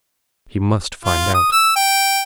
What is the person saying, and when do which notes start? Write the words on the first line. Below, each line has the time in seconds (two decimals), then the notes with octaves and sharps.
He must find out.
1.05 F4
1.34 D#6
1.52 E6
1.76 G5